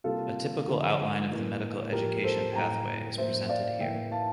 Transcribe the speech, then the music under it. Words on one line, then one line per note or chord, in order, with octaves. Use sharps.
A typical outline of the medical education pathway is presented here.
C3 G3 A#3 F4 A4
D3 F3 A3
A2 E3 A#3
A2 F3 A#3 G4 A#4
A4 C5
A2 E3 G3 A#3 G5 A#5
A2 F3 A#3 C5 E5
D5 F5
A2 E3 A#3 E5 G5
F5 A5